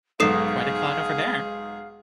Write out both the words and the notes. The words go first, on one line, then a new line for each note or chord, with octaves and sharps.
Quite a clot over there.
B1 G#2 G#4 A4 F5 D#6 C7